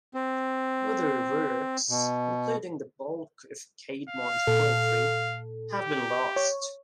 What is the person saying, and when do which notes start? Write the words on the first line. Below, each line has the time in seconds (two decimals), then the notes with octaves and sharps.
Other works, including the bulk of Caedmon's poetry, have been lost.
0.14 C4
1.90 B2
4.09 F5
4.47 A#2 A4
5.72 G4
6.36 C#5